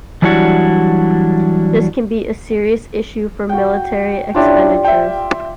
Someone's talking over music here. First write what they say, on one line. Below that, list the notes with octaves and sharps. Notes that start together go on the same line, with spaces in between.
This can be a serious issue for military expenditures.
E3 F#3 G3 D4 E4 F#4
F#4 G5
C#4 D4 E4 F4 G4 D5
E5 G5